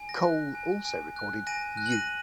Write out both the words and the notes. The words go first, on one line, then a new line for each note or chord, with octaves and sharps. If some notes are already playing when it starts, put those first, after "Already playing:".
Cole also recorded "You".
Already playing: G#5
A#6
F#6
G#5
G#5
F#6
G#5 A#6 D#7
F#6
F#7
A#6 D#7